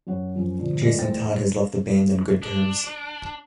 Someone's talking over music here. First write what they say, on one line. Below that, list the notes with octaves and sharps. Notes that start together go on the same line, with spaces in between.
Jasin Todd has left the band on good terms.
F#2 C#5 F#5
F#2 F3 C#4
A#2 D3 F3
G#3 F4 A#4 D5 A#6
E2 A3 E4 C5 G5 A6
D4